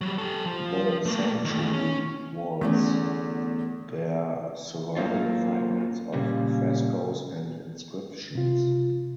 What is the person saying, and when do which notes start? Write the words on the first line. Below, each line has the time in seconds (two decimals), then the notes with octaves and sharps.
The sanctuary walls bear surviving fragments of frescoes and inscriptions.
0.01 F#3 G3
0.18 G4 A4
0.46 F3
1.06 A3 A#3
1.45 D#3 A3
1.73 C#4
2.61 E2 D3 A3 C#4
4.97 F#3 A#3 C4 F4
6.14 A#2 C#3 G3
8.35 C3 F4